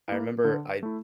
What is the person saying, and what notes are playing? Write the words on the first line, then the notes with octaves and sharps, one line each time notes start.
I remember I
A#3 E4
D3
A3 E4